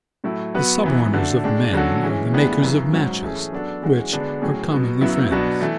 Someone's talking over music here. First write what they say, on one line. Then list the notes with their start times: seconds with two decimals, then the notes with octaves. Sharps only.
The suborners of men are the makers of matches, which are commonly friends.
0.24 A2 F#3 A3 E4
0.54 F#3 B3 F#4 B4
0.84 F#2 E3 B3
1.13 D3 A3 D4 F#4
1.44 A2 G#3 D4
1.73 D3 F#3 C#4 F#4 A4
2.03 E3 G#3 C#4
2.33 A2 E3 G#3 B3 D4
2.63 F#2 C#3 E3
2.93 G#2 F#3 C#4 F#4
3.22 E3 A3 C#4 G#4
3.52 F#3 B3 D4 F#4 A4
3.82 E3 G#3 C#4 F#4
4.12 D3 G#3 B3 D4 F#4
4.42 A2 F#3 C#4 G#4
4.71 B2 F#3 B3
5.01 F#2 C#3 F#3 B3 E4
5.31 B2 F#3 B3 D4
5.61 E3 A3